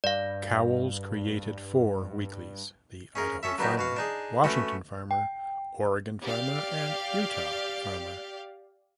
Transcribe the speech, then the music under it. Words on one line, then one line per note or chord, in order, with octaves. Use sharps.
Cowles created four weeklies, the "Idaho Farmer", "Washington Farmer", "Oregon Farmer" and "Utah Farmer".
G2 D5 F5
C#4 G#4 A#4
C#4 A4 C#5 E5
F#3 A#3 B3 D4 D#4 G4
B2 F#4 F5
D4 D#4 G#4
A3 B3 C#4 F#4
G5
G4 D5 F5